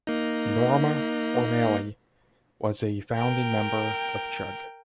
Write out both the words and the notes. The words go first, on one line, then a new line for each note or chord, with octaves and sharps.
Norma O'Malley was a founding member of Chug.
A#3 D#4
A#4 G5